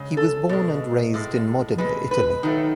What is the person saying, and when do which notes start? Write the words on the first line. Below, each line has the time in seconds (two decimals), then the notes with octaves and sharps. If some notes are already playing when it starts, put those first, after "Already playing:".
He was born and raised in Modena, Italy.
Already playing: C#3 G#3
0.17 A4
0.49 B2 G#3
1.14 A2 G#3
1.78 B2 G#3 B4
2.11 B4
2.43 D#3 F#3 A3